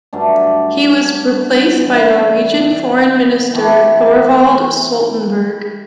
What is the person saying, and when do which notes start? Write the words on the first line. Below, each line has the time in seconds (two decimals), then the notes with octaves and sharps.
He was replaced by Norwegian Foreign Minister Thorvald Stoltenberg.
0.13 G2 F#3 A3 D4
1.83 C#3 E3 G3
3.53 E3 A3 E4 G4